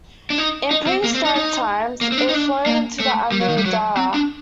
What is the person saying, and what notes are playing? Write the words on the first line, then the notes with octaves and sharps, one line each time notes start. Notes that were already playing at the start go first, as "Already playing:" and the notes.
In prehistoric times it flowed into the Amu Darya.
D4
D#4
D#4
C4
A#3
C4
D#4
D#4
A#3
C4
D4
D#4
D4
A#3
A3
G3
F#3
D#3
G3
F#3
C4
D4